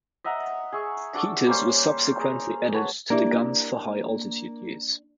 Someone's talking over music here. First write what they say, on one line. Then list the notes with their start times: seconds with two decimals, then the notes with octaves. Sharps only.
Heaters were subsequently added to the guns for high-altitude use.
0.24 D#5 E5 F#5 A#5
0.72 G#4 E5 C#6
1.14 D4 F#4 A4 D6
1.46 G3 A#3 C#4 C5
2.19 G#4 A#5
2.73 F#4 B4 C#5 A5
3.10 A#3 D4 E4 G4 E5